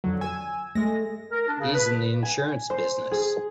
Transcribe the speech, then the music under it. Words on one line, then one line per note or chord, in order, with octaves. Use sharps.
He's in the insurance business.
F2 D3 F#3
G#5 E6
G#3 A3 A#6
A#4
D4
C#3
B4
G#5
C5
G#4